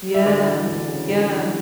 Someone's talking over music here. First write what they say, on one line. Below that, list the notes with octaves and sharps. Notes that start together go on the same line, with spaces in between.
Yeah. Yeah.
E5
D2 D5
E3
D2
C#3
D2
E3